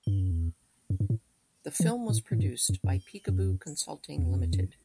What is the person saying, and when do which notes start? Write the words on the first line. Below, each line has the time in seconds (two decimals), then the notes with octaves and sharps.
The film was produced by Peekaboo Consulting Limited.
0.07 G2
0.19 F#2
0.31 E2
0.90 F#2
1.00 G2
1.10 A2
1.80 E3
2.09 A2
2.32 A2
2.40 G2
2.69 F#2
2.84 F#2
3.29 F#2
4.18 E2
4.30 F#2
4.41 E2
4.53 F#2